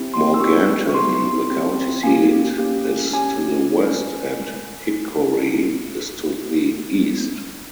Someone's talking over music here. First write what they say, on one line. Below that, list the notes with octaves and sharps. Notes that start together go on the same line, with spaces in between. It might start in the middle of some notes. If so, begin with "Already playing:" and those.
Morganton, the county seat, is to the west, and Hickory is to the east.
Already playing: C4 E4 G4
C6
E6
C4 E4 G4 C#6
C#6
C4 E4 G4 C6
C4 E4 G4
A#3 C#4 G4 G#5
A#3 C#4 G4
C#4 G4 G#5
C#4 G4